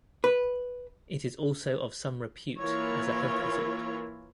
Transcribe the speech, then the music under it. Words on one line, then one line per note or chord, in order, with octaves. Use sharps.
It is also of some repute as a health resort.
B4
E3 A#3 E4 F4 A#4 C#5